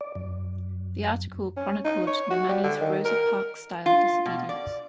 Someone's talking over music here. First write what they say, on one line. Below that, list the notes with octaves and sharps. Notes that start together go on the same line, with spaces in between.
The article chronicled Nomani's Rosa Parks-style disobedience.
D5
F#2
C#4
D#4
C#5
F#4
G3
D3
D#3
A#4
F4
B2
D5